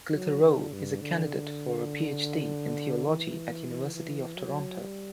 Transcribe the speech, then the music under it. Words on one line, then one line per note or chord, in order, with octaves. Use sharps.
Clitheroe is a candidate for a Ph.D. in Theology at University of Toronto.
F#3
D3
G2
D3
E3
E3
F#3
G3